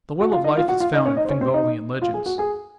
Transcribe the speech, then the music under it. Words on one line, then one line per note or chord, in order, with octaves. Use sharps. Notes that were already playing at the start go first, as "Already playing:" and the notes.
The Well of Life is found in Fingalian legends.
F#4 F#5
F4 F5
D#4 D#5
F4 F5
F#4 F#5
F4 F5
D#4 D#5
C#4 C#5
D#4 D#5
C5
C#4 C#5
C4 C5
D#4 D#5
F4 F5
G#4 G#5
F#4 F#5
G#4 G#5